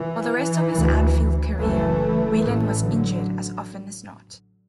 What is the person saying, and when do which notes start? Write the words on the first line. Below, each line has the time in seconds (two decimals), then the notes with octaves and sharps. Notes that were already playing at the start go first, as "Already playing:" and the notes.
For the rest of his Anfield career, Whelan was injured as often as not.
Already playing: E3
0.75 D2
1.59 F#1 F#2 E3 A3
2.42 A1 A2 E3 A3
2.85 D3 F#3